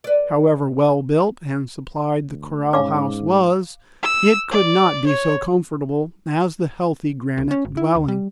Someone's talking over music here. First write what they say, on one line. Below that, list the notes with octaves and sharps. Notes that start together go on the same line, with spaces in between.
However well built and supplied the corral house was, it could not be so comfortable as the healthy granite dwelling.
B4 D5
D2
G#2 C#4 F5 D6
E6
D5
C#5
C2
C#4
G#1
E4
D2
G3